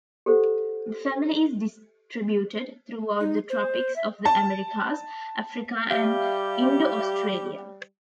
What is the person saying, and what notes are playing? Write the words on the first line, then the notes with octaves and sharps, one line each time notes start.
The family is distributed throughout the tropics of the Americas, Africa and Indo-Australia.
G4 A4 C5 F#5
D#4
C5
E5
A5
G3 G4 E5 F5